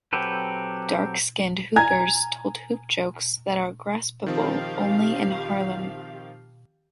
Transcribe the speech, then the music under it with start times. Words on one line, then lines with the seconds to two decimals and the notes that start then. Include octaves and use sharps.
Dark-skinned hoopers told hoop jokes that are graspable only in Harlem.
0.13 F#3 C4 G4 A4 B4
1.76 G#5 A#5 G#6
4.26 D#3 F3 C4 G4 F5